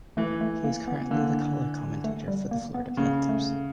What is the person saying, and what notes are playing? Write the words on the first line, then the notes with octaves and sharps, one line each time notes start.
He is currently the color commentator for the Florida Panthers.
E3 A3
A3
A#3
B3
D3 A#3
A3
G3
A#3
B3
C#3 A#3
A3